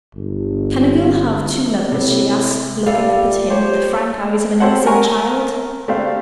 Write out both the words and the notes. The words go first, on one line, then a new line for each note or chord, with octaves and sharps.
"Can a girl have two lovers?" she asked, looking up at him with the frank eyes of an innocent child.
G1
A2 C3
G3 F4 A4
G4 C5 C#5
C4 G4 A4 C5 C#5 F#5
A#4 G#5 C#6
A3 D4 G4 C5 F5